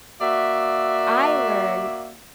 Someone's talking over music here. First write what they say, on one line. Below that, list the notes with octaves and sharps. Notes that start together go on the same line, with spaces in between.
I learned
A#3 F#4 D5 E5